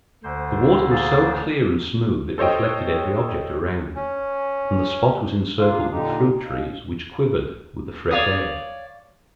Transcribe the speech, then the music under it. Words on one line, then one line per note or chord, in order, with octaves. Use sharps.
The water was so clear and smooth it reflected every object around, and the spot was encircled with fruit-trees which quivered with the fresh air.
D2 D3 C5
A#3 G#4 A5
A4 C5 C#5 D#5 G5
C#4
A#3 D4 F4 G#4
A#2 D3 D#4 G4
D#2
C#5 D5 F5 D#6